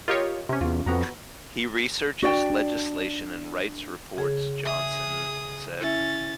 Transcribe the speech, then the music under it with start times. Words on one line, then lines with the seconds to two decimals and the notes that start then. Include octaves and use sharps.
He researches legislation and writes reports, Johnson said.
0.08 F4 G4 A#4 C#5 D#5 F5
0.49 C3 C#4 G4
0.61 E2 F4
0.86 F2 B3 F#4 A#5
2.23 D4 F#4 D5 G5
2.50 D4
4.17 C#3 G#4
4.65 G#4 E5 D#6
5.80 C#4 E4 E5 A6